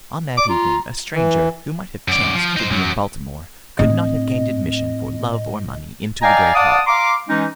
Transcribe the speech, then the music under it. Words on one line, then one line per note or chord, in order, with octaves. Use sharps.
On that evening a stranger who might have chanced to be in Baltimore could not have gained admission for love or money into the great hall.
D5 D6
F4 A#5
E3
F#2 D5
F3
D#4 C5
F#2 F#3
A2 C4 D4 D#5
D5 D#5 F5 G5 G#5 A#5
D5 F5 F#5 A5 D6 D#6
F5 A#5 C6 D6
E3 G#3 C#4 D#4